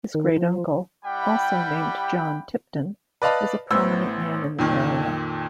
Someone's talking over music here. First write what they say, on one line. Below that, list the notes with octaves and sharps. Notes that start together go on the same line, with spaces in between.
His great uncle, also named John Tipton, was a prominent man in the area.
D#3
F3
G3 E4 G4 F#5 G5 B5
B4 D5 D#5 F5 A5 B5
A1 A2 B3 C5 E6
F2 A#2 D#3